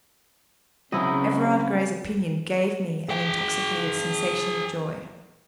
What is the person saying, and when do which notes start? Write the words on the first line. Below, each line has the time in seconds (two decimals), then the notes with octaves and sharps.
Everard Grey's opinion gave me an intoxicated sensation of joy.
0.92 C#3 F#3 C4 C#4 E4 B4 D#5
3.09 G#4 G5